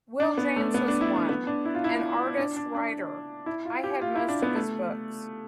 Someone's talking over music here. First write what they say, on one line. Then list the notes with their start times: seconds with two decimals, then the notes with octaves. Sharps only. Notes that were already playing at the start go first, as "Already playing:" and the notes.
Will James was one, an artist-writer-I had most of his books.
0.20 D4
0.38 B3
0.56 A3
0.74 B3
0.88 D4
1.01 E4
1.16 D4
1.29 B3
1.47 D4
1.65 E4
1.74 F4
1.84 E4
2.37 D4
2.56 D4
2.75 D4
3.46 E4
3.65 F4
3.84 G4
4.01 F4
4.16 E4
4.29 D4
4.42 B3
4.56 A3